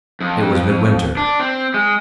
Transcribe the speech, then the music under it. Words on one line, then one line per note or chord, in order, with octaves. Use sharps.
It was midwinter.
F2
D4
C4
G#3